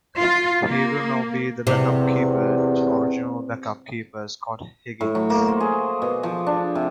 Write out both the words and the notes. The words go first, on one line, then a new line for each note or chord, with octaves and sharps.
He will now be the back up keeper to original backup keeper Scott Higgins.
F4
A#3
E2 C3
A2
F#3
A#3
C5
G#4
B2
F3
D4
C3